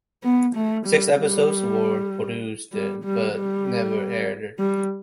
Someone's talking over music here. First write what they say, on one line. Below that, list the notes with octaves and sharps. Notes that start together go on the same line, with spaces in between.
Six episodes were produced, but never aired.
B3
A3
G3
G3
G3
G3
G3
G3